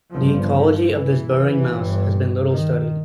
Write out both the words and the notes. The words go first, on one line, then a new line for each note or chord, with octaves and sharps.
The ecology of this burrowing mouse has been little studied.
G1 G2 F3
E3
G1 G2
D#3